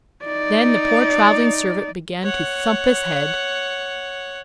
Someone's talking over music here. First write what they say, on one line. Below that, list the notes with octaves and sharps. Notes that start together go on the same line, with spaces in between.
Then the poor travelling servant began to thump his head.
D#4 D5
C#5 F#5